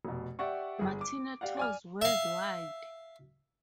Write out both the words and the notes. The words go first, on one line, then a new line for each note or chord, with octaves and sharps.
Martino tours worldwide.
F1 B2
G4 D5 E5 F#5 C#6
G1 G#4
D6
G4 D5 F5 F#5
D5 G#5 F6
E5 F5